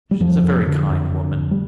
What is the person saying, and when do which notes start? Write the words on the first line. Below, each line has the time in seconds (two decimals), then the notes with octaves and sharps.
She is a very kind woman.
0.11 G3
0.20 F2 F3
0.43 F2
0.67 D3
0.90 F2
1.12 D3
1.36 F2
1.51 G3